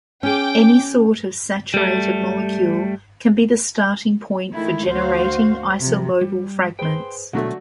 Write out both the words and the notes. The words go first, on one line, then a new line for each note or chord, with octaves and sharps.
Any sort of saturated molecule can be the starting point for generating isolobal fragments.
C#4 G#4 G5 D6
G3 A3
D#3 G#3 A3 E4
D2 F#4 C5 F5
C3 F3
G3
G#4 B4 C5 G5 C6
B2 D3 F#3 A3 F#4 D5